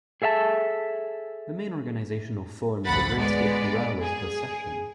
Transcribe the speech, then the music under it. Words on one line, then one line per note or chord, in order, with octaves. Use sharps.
The main organizational form of the State Great Hural is the session.
G#4 A4 E5 F5 A5
A1 D2 F3 F#5 B5 A6
G#3 B3 D5
G#4